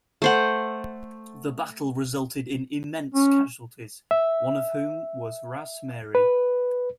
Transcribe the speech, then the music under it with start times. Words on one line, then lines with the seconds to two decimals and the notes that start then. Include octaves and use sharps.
The battle resulted in immense casualties, one of whom was Ras Marye.
0.22 A3 C5 F#5
3.14 C#4
4.11 E5
6.15 B4